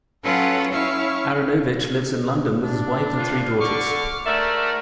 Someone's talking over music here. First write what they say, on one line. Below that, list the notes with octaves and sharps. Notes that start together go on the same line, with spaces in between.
Aaronovitch lives in London with his wife and three daughters.
F#3 C#4 F4 A4 B4 F#5
C#4 E4 C#5 F5 C#6
D4
D#3 F3 F4
D3 C#6 D6 F6
G#2 D3 A3 A#4 D5 E5